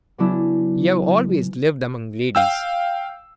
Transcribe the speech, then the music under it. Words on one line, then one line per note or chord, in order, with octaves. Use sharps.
You have always lived among ladies.
C#3 F#3 B3 D4 E4
F5 G5 E6